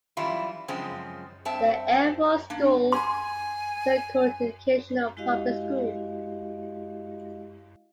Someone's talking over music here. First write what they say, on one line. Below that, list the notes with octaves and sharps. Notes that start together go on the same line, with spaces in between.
The Air Force School is a co-educational public school.
F#2 E3 G3 E4 F4
F#2 C#3 F3 G#3 C4
G2 C4 E5 A5
A#3 D4
G#5 C6
G#3 E4 F#4 G4 D#5 F5